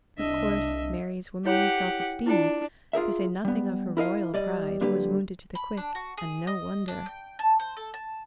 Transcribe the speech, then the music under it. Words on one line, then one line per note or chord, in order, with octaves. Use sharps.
Of course, Mary's womanly self-esteem, to say nothing of her royal pride, was wounded to the quick, and no wonder.
C2 D4 D#5 E5
E4 G4 C#5 F#5 B5
D4 E4 F4 G5
F4 G#4 A#4 E5
G3 B3
E4 A#4 D#5 F5
G3 D5 D#5
D3 G3 A#3 G4 B4
B5
D4
F#4
G#4
D#5
D4
G5
A5
C5
A4
A5